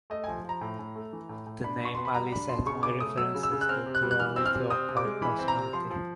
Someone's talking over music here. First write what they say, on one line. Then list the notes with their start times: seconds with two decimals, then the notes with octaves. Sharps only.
The name "Alice et Moi" references the duality of her personality.
0.10 A3 D#5
0.24 F3 G#5
0.44 F3
0.49 A#5
0.61 A2
0.79 A2
0.96 A3
1.13 E3
1.29 A2
1.46 A2
1.64 D4 B5
1.81 B2 C#6
1.95 B3 C6
2.05 B5
2.14 G3 A#5
2.32 D4 B5
2.49 B2 C6
2.66 C#3 C#6
2.83 C#3 D6
3.00 A3 D#6
3.17 F#3 E6
3.35 C#3
3.43 E6
3.52 C#3
3.61 F#6
3.69 C4 F6
3.86 C3
3.95 F#6
4.02 G3
4.11 F#6
4.20 E3 F6
4.36 C4 E6
4.46 F6
4.55 C3
4.70 C4 D#6
4.89 C3
4.97 D6
5.05 G#3
5.22 E3 B5
5.39 C4
5.48 A#5
5.57 C3
5.73 F3 C6
5.90 F3